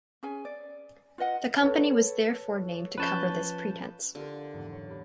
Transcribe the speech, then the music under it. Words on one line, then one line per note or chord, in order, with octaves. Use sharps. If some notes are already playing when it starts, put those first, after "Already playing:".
The company was therefore named to cover this pretence.
C#4 G#4 G#5
D5
F4 B4 D#5 F#5
A4 B4 C#5
F3 C#4 B4 A5 C#6 G6
D3 F4 G4 A#4
F#1 E2 G#2
C#5
G4 A#4 B5